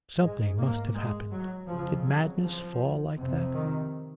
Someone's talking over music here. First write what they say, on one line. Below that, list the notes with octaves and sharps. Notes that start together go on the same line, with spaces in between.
Something must have happened. Did madness fall like that?
G#2 G#3
A#3
G#3
F#3
F2 C#3 F3
F#3
F3
F2 C3
D#3